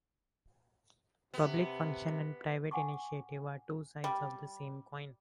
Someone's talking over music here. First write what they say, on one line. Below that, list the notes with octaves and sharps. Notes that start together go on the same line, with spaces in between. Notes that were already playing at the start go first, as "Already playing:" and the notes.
Public function and private initiative are two sides of the same coin.
C3 B3
F#5 G#5 A5 C#6 D6
G3